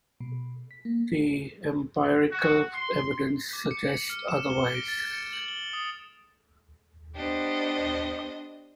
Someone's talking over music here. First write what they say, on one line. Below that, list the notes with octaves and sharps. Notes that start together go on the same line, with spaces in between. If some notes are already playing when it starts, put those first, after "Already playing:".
The empirical evidence suggests otherwise.
B2
B6
A#3
F#4
C6
D6
C#7
C#7
F6
E7
G7
D7
A6
C#7
F#7
G7
D#6
B3 D4 G4 C5 D#5